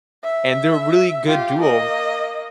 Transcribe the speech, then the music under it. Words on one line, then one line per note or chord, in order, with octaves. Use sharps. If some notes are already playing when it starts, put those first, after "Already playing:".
and they're a really good duo,
E5
F4 G4
A#3 D#5